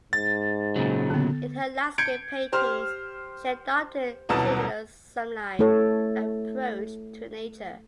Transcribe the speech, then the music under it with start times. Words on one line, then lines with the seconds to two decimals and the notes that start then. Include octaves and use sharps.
In her landscape paintings she adopted Schindler's sublime approach to nature.
0.13 G#2 A6
0.76 A#2 C#3 F#3
1.10 D3 B3
1.98 G6 G#6 C#7 D7
2.52 G4 C5 C6 F6
4.29 D#1 C2 B2 F#3 A5 D#6
5.59 A3 E4 A4 C#5